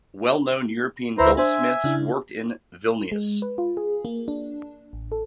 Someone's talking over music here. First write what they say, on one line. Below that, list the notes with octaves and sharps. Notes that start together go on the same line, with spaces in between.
Well known European goldsmiths worked in Vilnius.
D2 E4 B4 C5 A#5
D4 C5 E5 G#5
C#3 D4 E4
G#3
B4
F4
G#4
A#3
D4
A1
A4